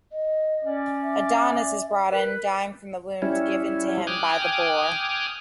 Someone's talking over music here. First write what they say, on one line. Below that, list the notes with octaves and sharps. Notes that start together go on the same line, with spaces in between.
Adonis is brought in, dying from the wound given to him by the boar.
D#5
C#4 D5
E5
A#4 B4
G3 C#4 E4
G5 G#5 D6 D#6 F6 F#6